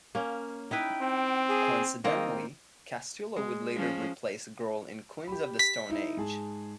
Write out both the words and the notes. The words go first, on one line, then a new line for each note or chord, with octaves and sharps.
Coincidentally, Castillo would later replace Grohl in Queens of the Stone Age.
A#3 C#4
D#4 E4 B4 G5
C4
G#4
D#3 A#3 C4 D#5
G#3
F3 C#4
G4 B5
B6
D#4 E4
G#2 G#4 A5